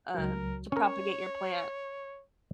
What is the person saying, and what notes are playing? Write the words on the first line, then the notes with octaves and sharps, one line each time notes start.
um, to propagate your plant."
C#2 F#3 A#4
C#4 A#4 C#5 C#6